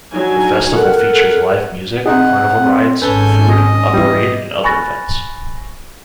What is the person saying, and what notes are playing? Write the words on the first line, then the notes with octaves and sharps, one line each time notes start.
The festival features live music, carnival rides, food, a parade, and other events.
D3 F#3 D#4 G#5
A4 A#4 F#5
C3 D#4 G#4 F#5
C4
G#1 C#4 A4 B4 G#5 G6
D#5
E3 G3
G#5 B5 C#6 F#6 A6 A#6